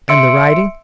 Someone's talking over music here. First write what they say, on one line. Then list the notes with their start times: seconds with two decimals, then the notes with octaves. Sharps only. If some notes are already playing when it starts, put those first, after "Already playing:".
"And the writing?"
0.09 E5 C6 E6 C#7 D7